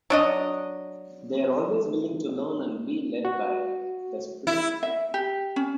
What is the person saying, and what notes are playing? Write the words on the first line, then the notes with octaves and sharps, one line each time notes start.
They are always willing to learn and be led by "The Spirit".
F#3 D4 D#5
F#4
E4
E5
G4
C#4